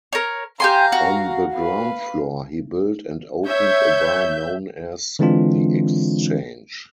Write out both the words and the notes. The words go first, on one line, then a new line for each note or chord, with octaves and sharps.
On the ground floor he built and opened a bar known as The Exchange.
A#4 C#5
G4 F5 G#5 A#5 C6
F#4
B4 F5
C#5 E5 G6
D3 E3 G#3 C4 D4 F4